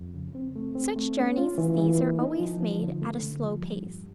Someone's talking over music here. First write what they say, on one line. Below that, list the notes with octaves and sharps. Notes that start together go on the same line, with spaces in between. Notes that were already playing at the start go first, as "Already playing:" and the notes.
Such journeys as these are always made at a slow pace.
Already playing: F2
C#3
C4
A3
C4
A3
C#4
F4
E3
E3
A#3
D#4
F3
F3
D3
A3
D3
F3
G3
G2